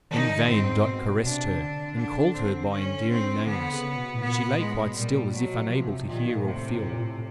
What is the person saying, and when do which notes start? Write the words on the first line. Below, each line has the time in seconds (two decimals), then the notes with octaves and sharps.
In vain Dot caressed her, and called her by endearing names; she lay quite still, as if unable to hear or feel.
0.11 D#3 D#4
0.30 D3
0.47 G#2 C4
0.85 B2
1.22 C3 D4
1.59 D3
1.97 D3 D4
2.34 D3 C4
2.71 C#4
3.10 C4
3.46 D3 B3
3.72 C#3
3.96 B2
4.14 A2
4.21 A#2 B3
4.58 A2 G#3
4.85 B2
4.96 A#2 G3
5.33 B2 F#3
5.70 C3 F3
6.07 A#2 D#3
6.45 A2 C3
6.83 A2
6.92 A#2
7.03 A2